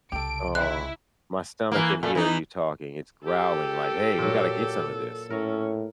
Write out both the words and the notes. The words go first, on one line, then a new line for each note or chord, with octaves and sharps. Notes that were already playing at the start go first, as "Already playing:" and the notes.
Oh, my stomach can hear you talking. It's growling like, "Hey, we gotta get some of this.
C2 C#3 G4 A4 D7
G#3 C4 E4 F#6
E3 A#3
A#2 A3
E3 D#4
G4 A4
A#2 F#3
A2 C#4 A#4